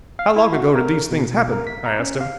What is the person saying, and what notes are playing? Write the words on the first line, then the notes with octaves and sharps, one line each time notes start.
"How long ago did these things happen?" I asked him.
F5
E4
F#4
A#4
B2
A#4
B6
A#5
C#4
F5